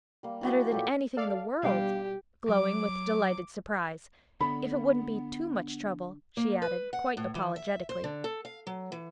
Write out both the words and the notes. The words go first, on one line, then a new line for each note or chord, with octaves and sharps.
"Better than anything in the world," glowing with delighted surprise. "If it wouldn't be too much trouble," she added, quite apologetically.
G3 A#3
E3 F#3 F#4 G4
A5
A#2 G4 A4
A4 D5 F5
B2 G3 D4 G4 F5 G5
F#3 D6
D3 B3 B5
A#3
B4
F#5
A2
E3
E5
C5
D3
A4
F5
F#3
E3